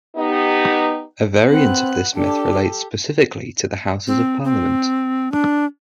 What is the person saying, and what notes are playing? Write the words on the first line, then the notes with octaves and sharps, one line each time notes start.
A variant of this myth relates specifically to the Houses of Parliament.
B3 D#4 G4
B3 C4 F#6
D4 G4 A4
C4
C4
D4